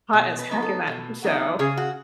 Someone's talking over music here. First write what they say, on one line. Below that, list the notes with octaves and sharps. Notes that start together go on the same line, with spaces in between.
hot as heck in that show,
B2
B4
F#3 B3 D#4
A4
B2
F#3 B3 D#4
C#3 G#4
F#4